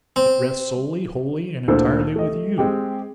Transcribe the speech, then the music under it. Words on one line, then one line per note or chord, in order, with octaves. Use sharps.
It rests solely, wholly, and entirely with you.'
C4
D2 A#2 D3 C5 E6
A3 G4 D#5
G#3 C4 G4